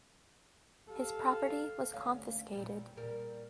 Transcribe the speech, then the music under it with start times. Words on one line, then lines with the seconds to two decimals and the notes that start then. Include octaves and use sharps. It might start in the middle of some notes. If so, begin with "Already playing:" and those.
His property was confiscated.
0.90 G4 A4 F5
1.93 D2 C#4 F5
2.53 A#2 G3
2.96 A#2 G3 A#4